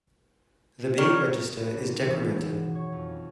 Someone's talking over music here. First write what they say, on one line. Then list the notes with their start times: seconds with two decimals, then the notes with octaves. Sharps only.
The B register is decremented.
0.98 G3 A#4 C#5
1.33 D#6
1.56 B4
1.74 G#1
1.92 C#2
2.04 E3
2.17 E4
2.37 F#2
2.58 B2
2.75 C#5
2.92 F2
3.09 C#4